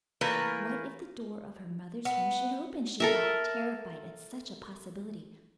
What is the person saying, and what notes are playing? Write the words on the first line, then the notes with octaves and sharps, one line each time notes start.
What if the door of her mother's room should open, she thought, terrified at such a possibility.
E3 A3 A#3 F4 A#4 B4
B3
A4 A#4 E5